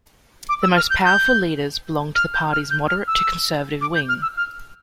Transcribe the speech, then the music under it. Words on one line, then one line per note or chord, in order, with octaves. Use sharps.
The most powerful leaders belonged to the party's moderate-to-conservative wing.
D6
E6
F6
G6
G6
F6
G6
F6
G6
F6
E6
D6
G6
F6
E6
F6